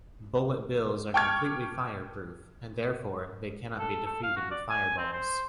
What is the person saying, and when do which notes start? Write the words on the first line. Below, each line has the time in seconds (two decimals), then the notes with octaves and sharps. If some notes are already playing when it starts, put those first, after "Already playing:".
Bullet Bills are completely fireproof, and therefore, they cannot be defeated with fireballs.
1.14 G5 A5 C#6 D6 F6 G#6
3.79 A4
4.06 A4
4.23 F5
4.36 F#4
4.51 D5
4.70 G#5
4.98 C4
5.13 C5